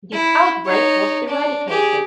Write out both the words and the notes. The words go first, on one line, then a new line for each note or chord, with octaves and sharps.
This outbreak was eradicated.
E4
D#4 C#5
D4
G4 G#4